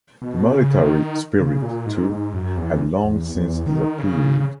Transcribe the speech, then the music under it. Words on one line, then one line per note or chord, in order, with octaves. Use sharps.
The military spirit, too, had long since disappeared.
B2
C#3
D#3
C#3
A#2
G#2
G#2
F#2
E2
E2
E2
D#3
C#3
C#3